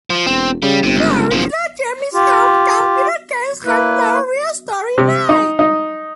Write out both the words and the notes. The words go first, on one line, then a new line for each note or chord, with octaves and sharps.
The original Japanese home computer games had no real storyline.
F3
E1 C4
C#3 G3
G1 C3
C#2
F#1 B2 F3
F4 G4
A#3 E4 B4
C3
D#4
D#4